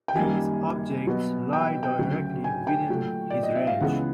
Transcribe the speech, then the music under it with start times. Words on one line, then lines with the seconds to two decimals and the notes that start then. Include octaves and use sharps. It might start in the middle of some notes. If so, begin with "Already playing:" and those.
These objects lie directly within his range.
0.08 G5
0.15 F#2 D#3 G3 A#3 G#5
1.06 B2 F#3 B3
1.53 G5
1.83 G5
1.98 D2 C#3 F#3
2.44 G#5
2.67 G5
2.89 A#2 F#3 A3
3.30 D5
3.43 D#5
3.55 E5
3.67 F5
3.81 C#2 C#3 E3 G#3 B3 F#5